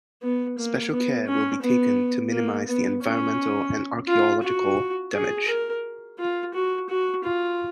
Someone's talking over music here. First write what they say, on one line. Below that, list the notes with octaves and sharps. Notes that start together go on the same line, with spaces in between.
Special care will be taken to minimize the environmental and archaeological damage.
B3
A#3
B3
C#4
B3
A#3
B3
C#4
F4
F#4
G#4
A#4
F4
F#4
F#4
F4